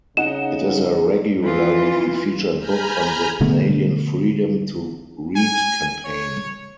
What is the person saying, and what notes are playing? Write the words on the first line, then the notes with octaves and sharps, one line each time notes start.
It is a regularly featured book on the Canadian Freedom to Read campaign.
C#3 D#4 F#5 E7
E3 F4
G#5 A#5 B5 F6 G6
B2 D3 A3 B3
G#5
C#5